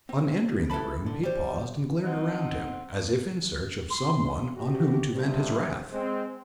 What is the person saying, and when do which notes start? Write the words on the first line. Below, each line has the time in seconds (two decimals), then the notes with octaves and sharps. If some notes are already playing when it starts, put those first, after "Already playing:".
On entering the room, he paused and glared around him, as if in search of some one on whom to vent his wrath.
0.09 C4
0.70 E4 A4 B4 A5 B5
1.06 D3
1.23 G3 C5
2.03 C4 D#4 F#5
3.90 C6
4.56 C3 F#4 G4
5.14 G2 C3
5.92 G#3 C4